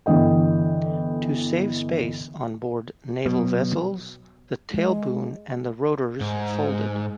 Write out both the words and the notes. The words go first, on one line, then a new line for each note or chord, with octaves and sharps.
To save space on board naval vessels, the tail boom and the rotors folded.
G1 D3 E3 D#5 G5
B2 F#3
G#3
G#2